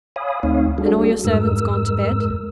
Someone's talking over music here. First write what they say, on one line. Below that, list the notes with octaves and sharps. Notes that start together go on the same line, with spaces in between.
"And all your servants gone to bed?"
C#5 F5 G#5 B5 D#6
D2 A3 C4 D#4 C#5 F5
G3 D4 F#4 G#4 A4
F2 G#2 G#3 A#4 E6